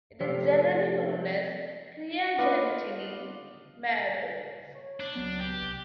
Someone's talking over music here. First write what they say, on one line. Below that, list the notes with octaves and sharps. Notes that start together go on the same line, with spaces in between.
It is generally known as the Craigentinny Marbles.
C3 F3 A3 C4 G4 F5
B3 D4 D#4 F4 B4
C#5
D4
C#2 F#3 B3
G4
C2